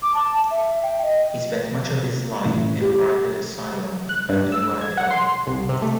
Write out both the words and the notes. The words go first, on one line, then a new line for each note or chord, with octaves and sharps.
He spent much of his life in a private asylum in Padua, Italy.
D6
A5
E5
G5
D#5
A1
G4
F#6
G2
E6
G#6
F#5
C6
C2
C3
A3